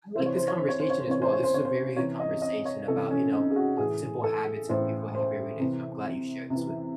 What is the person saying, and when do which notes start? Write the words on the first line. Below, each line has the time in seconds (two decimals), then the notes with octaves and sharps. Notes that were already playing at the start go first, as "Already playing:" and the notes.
I like this conversation as well, this is a very good conversation about, you know, what simple habits help people happy every day, so I'm glad you shared this with me.
0.15 C3 E3 C5
0.26 C#5
0.37 C5
0.48 C#5
0.58 C5
0.69 C#5
0.80 C5
0.90 C#5
1.00 C5
1.07 C3 E3 C#5
1.22 C5
1.33 C#5
1.44 C5
1.54 C#5
1.65 C5
1.97 C3 E3 C#5
2.20 D#5
2.42 D#5
2.65 C#5
2.88 C3 E3 A4
3.11 C#4
3.33 D#4
3.50 G#4
3.56 F#4
3.78 A2 E3 G#4
4.24 A4
4.69 A2 E3 C5
5.15 C5
5.60 C3 E3
6.50 C3 E3